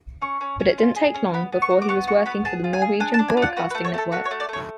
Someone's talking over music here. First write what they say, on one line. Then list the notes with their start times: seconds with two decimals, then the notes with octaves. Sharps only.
But it didn't take long before he was working for the Norwegian broadcasting network.
0.22 C#4 C#6
0.41 C#4
0.60 C#4
0.78 F4
0.96 G#4
1.14 C#4
1.34 B3 B5
1.52 B3
1.62 C#6
1.70 F#4
1.82 D6
1.89 B3 C#6
2.07 F#4 C#6
2.26 B3 B5
2.45 G#4 A5
2.64 F4
2.73 G#5
2.82 G#4
3.00 D4 G#5
3.14 A5
3.19 D4
3.28 G#5
3.37 F4
3.42 F#5
3.57 F#4 B4
3.70 B4
3.75 A3
3.85 C#5
3.94 A3 A4
4.12 F#4 B4
4.25 C#5
4.31 A3
4.40 D5
4.49 A3 C#5